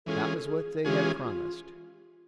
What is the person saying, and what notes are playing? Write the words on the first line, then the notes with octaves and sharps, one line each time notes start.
That was what they had promised.
E3 G#3 C#4 F4 G#4 A4
A4
G#4
E3 G#3 C#4 F4 G4 G#4
F4